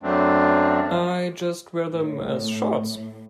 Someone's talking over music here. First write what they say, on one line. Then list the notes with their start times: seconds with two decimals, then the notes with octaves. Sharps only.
I just wear them as shorts.
0.03 F#2 F#3 A3 C4 D4
1.94 A2